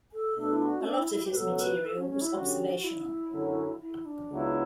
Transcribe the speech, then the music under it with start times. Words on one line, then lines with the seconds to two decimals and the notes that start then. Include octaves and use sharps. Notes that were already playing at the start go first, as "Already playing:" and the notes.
A lot of his material was observational.
0.13 A4
0.37 B2 A3 D4 A4
0.53 E4
0.62 F#4
0.81 C#4
0.87 D4
0.98 E4
1.12 E4
1.24 G4
1.32 B4
1.35 C#2 B2 F#3 A4
1.54 A4
1.60 B4
1.85 A4
1.98 C#4
2.10 C#4
2.21 E4
2.34 D3 F#3 C#4 F#4 G4
2.73 F#4
2.84 E4
3.32 F#2 D3 F#3 C#4
3.81 E4
4.05 D4
4.31 C#2 C#3 F#3 B3 E4